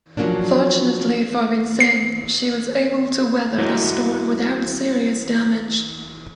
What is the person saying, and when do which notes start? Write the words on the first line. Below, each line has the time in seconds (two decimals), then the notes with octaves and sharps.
Fortunately for "Vincennes", she was able to weather the storm without serious damage.
0.17 F3 F#3 A#3 C#4 D4
1.80 C7
3.58 G3 E4 F#4 A#4 D#5